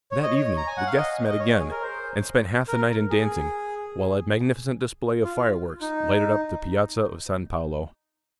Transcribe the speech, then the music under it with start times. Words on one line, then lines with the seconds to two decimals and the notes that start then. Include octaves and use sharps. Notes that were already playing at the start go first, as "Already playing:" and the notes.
That evening the guests met again, and spent half the night in dancing, while a magnificent display of fireworks lighted up the Piazza of San Paolo.
0.11 C#5
0.23 D#5
0.34 C#5
0.57 A#5
0.67 G#5
0.77 F#5
0.87 F5
0.97 D#5
1.30 D#5
1.39 C#5
1.59 G#4
1.71 A#4
1.82 C5
2.68 A#4
3.10 G#4
5.24 F4
5.81 D#4